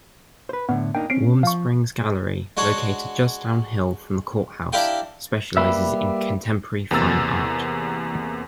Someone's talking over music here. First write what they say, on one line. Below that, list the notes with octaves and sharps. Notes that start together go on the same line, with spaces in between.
Warm Springs Gallery, located just downhill from the courthouse, specializes in contemporary fine art.
B4 C5
A2 D3 B3
A#3 D4 D#4 G5
C4 C#4 C7 D7
F3 F5 C#6
G#3 D4 F#4 C#5
D4 E4 G4 A#4 F5 G5
G3 A#3 B4 E5
E2 C3 A#3 A#5 E6 A6